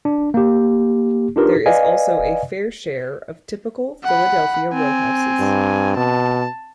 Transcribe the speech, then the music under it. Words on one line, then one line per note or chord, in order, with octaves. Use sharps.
There is also a fair share of typical Philadelphia rowhouses.
D4
A#3 G4
D4 D#4 F4 G4 A#4 B4
B4 D5 D#5 F5 G#5
F#5 B5
C4 G#5
G2
B2 A5